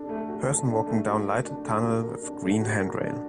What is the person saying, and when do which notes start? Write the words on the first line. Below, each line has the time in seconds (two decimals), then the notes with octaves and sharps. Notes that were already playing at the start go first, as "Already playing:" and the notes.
Person walking down lighted tunnel with green handrail.
Already playing: D4 A4
0.09 A3
0.28 F#4
0.48 A4
0.67 D4
0.87 A3
1.06 F#4
1.25 A#4
1.45 D4
1.64 A3
1.83 F#4
2.03 A#4
2.23 D4
2.42 A3
2.61 F#4
2.80 A#4
3.00 D4